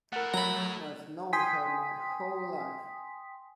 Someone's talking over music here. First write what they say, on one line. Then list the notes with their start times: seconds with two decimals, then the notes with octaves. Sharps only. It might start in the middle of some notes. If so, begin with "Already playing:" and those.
I've known her my whole life.
0.13 A3 E4 A#4 F#5
0.34 F#3 A#5 B5
1.33 G5 G#5 C6 D#6 B6